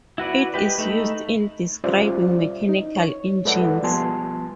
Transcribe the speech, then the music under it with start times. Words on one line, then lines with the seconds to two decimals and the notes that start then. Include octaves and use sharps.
It is used in describing mechanical engines.
0.18 E4 F#4 B4 D5
0.54 G#3 G4 B4
0.78 A3 D#4 B5
1.84 G3 C#4 F4 C5 D5 E5
2.69 D#4
2.96 C#5
3.45 G#3 A4 B4 D5 E5 F#5
3.83 F3 G3 B3 G#5 A5 C6